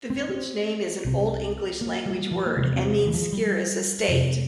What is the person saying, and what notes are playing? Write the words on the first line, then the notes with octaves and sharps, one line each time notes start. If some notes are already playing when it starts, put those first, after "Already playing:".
The village name is an Old English language word, and means 'Scira's estate'.
C4
C4
C2 C3
A#3
G3
F3
A#3
E2 C3 G#3
C4
E3
F3
G3
F2 C3